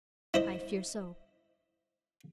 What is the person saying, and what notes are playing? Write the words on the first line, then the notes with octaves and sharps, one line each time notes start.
"I fear so."
E4 C5 D#5